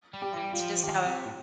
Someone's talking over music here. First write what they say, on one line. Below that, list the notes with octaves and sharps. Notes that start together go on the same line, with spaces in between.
it's just how
G3
G4
G3
G3 F4
F3
D#3 G4
C3
A2